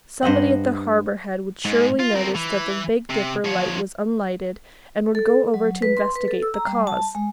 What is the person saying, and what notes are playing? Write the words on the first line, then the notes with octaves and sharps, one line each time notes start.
Somebody at the Harbour Head would surely notice that the Big Dipper light was unlighted and would go over to investigate the cause.
G2 C5 D#5 F#5
G#2
F4
C4 A#4
E3
C3
F3 C#5
A4
F#3
B4
C6
B4
A4
E6
A#5
G3
A5
G#3